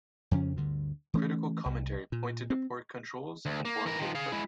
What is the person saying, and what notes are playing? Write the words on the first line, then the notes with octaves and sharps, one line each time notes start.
Critical commentary pointed to poor controls and boring gameplay.
F2 C#3 F3 C#4
D2 G2 D3
E3 A3 C#4
C2
A#2
C4
D2
A#3
E3 A#4
D#3 F3
G#4 F5
G#3 E4